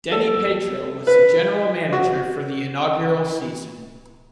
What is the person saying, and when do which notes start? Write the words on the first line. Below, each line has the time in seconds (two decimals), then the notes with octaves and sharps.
Denny Petro was the General Manager for the inaugural season.
0.11 A4
1.07 B4
1.93 F#4